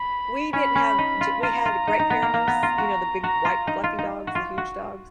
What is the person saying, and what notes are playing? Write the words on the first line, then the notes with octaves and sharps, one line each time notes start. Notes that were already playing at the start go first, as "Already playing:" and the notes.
we didn't have g we had Great Pyrenees, you know, the big, white, fluffy dogs, the huge dogs,
Already playing: B5
C#4 B5
C#4
D#4
F4
F4 A#5
F4
D#4
D#4
B3
A#3
A#3
B3
F4
F#4
F#4 A#5
F4
D#4
F4
D#4
F#4
F4
F#4